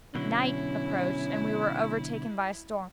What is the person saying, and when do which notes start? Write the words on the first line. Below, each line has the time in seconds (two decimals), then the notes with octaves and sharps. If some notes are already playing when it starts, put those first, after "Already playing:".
Night approached, and we were overtaken by a storm.
0.15 B2 D3 F#3 C#4 E4